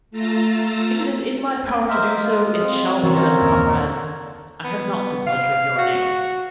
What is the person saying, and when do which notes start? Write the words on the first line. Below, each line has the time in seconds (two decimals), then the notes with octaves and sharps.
"If it is in my power to do so, it shall be done, Comrade--I have not the pleasure of your name."
0.11 A3 F4 A#5 E6 A6 A#6
1.89 A#4 C5 D#5 E5
2.25 F4
2.60 C4
3.03 E3 C#4 F4 A#4 C#5 E6
3.40 F#1 D#2 A#2
4.64 B3
5.27 F5
5.79 F#4